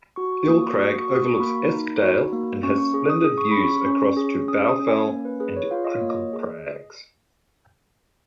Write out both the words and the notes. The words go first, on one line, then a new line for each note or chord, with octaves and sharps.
Ill Crag overlooks Eskdale and has splendid views across to Bowfell and Crinkle Crags.
F#4 C#6
C#6
A#3 D#6
C#6
F#4 D#6
C#6
F#4
D#6
C#6
C#6
A#3 B5
D#4
F#4
A#3
C#4 C#6
C#6
G#4
D#6
G#4 D#6
C#6
C#4 B5
C#6
C#4
G#4
C#4 D#6
D#6
C#4
G#5
A#3
B4
G#4 B4
C#5
F4 F5
D#5
C#5
A#3
D#5
G#4